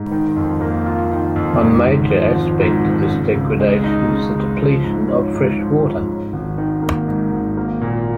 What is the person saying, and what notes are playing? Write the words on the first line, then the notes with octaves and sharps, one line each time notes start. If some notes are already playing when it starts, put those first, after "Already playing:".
One major aspect of this degradation is the depletion of fresh water.
Already playing: G#2
D#3
F2
A#3
F4
D#3
F2
G#2
G#1
F3
G#1
G#2
G#1
C#3
C#2
G#3
D#4
C#3
C#2
F3
G#2
C#4
G#2
F3
G#2
G#2
G#1
D#3
A#3
G#2
G#1
A#3
A#2